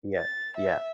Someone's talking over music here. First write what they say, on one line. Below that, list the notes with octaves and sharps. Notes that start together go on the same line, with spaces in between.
Yeah. Yeah.
A6
E5